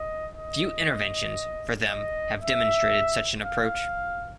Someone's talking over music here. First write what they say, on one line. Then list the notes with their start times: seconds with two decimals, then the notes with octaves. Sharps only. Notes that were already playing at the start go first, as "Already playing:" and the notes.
Few interventions, for them, have demonstrated such an approach.
Already playing: D#5
0.35 D#5
1.89 D#5
2.41 E5
3.44 F5